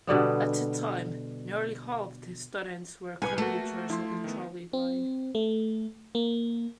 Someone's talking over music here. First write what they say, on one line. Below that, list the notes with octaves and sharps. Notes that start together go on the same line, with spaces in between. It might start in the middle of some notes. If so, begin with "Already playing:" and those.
At the time, nearly half the students were commuters on the trolley line.
B2 D3 G3 B3
C2 G#4 B4 G#5 C#7
A3 A#3 F#4
F3 E4 C6
D#3 B3
C4
A3
A#3